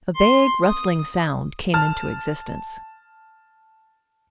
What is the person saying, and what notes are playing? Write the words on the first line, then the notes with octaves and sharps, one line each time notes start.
A vague rustling sound came into existence.
C6
D#6
A5 F6